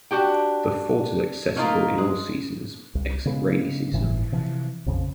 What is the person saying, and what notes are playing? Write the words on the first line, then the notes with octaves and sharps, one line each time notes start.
The fort is accessible in all seasons except rainy season.
D4 F#4 G4 G5
A3 A#3 D#4 F4 A#4
G#3
C2
C#3 G#3 B3
G1 A2 E3
C3 E3 F3
A#1 F2 C#3 F3